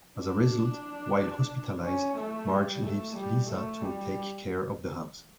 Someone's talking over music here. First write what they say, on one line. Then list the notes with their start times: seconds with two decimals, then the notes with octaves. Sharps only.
As a result, while hospitalized, Marge leaves Lisa to take care of the house.
0.19 D4
1.83 C#4
2.17 A3
2.50 G3
2.83 A3
3.16 G3
3.48 A3
3.82 G3